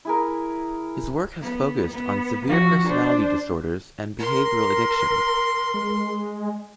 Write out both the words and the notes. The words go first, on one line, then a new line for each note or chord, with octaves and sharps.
His work has focused on severe personality disorders and behavioral addictions.
E4 G#4 A#4
B3
B3
F3 F#4
D4 C5
A#4 C6
G#3